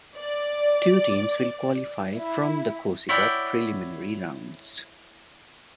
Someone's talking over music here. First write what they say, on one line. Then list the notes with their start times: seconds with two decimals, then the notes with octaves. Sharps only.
Two teams will qualify from the Corsica preliminary rounds.
0.17 D5
2.16 E4
3.09 E4 C#5 D5 F#5 G5